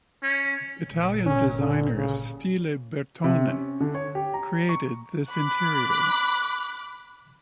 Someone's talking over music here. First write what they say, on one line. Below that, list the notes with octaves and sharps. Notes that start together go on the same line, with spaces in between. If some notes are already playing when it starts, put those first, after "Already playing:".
Italian designer Stile Bertone created this interior.
C#4
G1 A#2
C#4
D3
C#3
C3
C#4
D3
C#5
G4
A#5
C#6
B5 D6 F#6